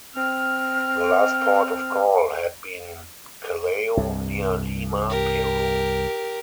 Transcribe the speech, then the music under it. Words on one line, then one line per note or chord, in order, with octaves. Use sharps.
The last port of call had been Callao, near Lima, Peru.
C4 F6
C2 G2
G4 A#4